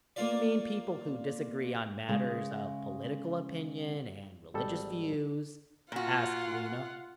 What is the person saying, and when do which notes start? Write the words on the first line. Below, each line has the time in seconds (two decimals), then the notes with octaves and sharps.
"Do you mean people who disagree on matters of political opinion and religious views?" asked Lena.
0.16 A#3 F4 D5
2.08 C#3 G#3
4.54 G#1 G3 A4
5.92 A#2 F4 F#4 F#5